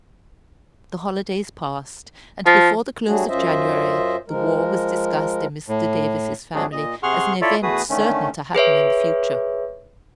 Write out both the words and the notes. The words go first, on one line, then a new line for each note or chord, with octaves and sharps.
The holidays passed, and before the close of January the war was discussed in Mr. Davis's family as an event certain to happen in the future.
F3
F#3 G3 A3 D4 F#4 G#4
F#2 C#4 F4 C5 D#5 E5
F3 G#3 A#4
A2
F2 G#2 F#3 A3 D4 G#4
A#2 D#5
C3 G#4 F#5 C6 C#6 F6
E4 F4 A4 C#5 D5 E5
E2 A3 F#4 G#4 B4 D#6
D3 D#3 A3 C#4
G#4 B4 C#5 E5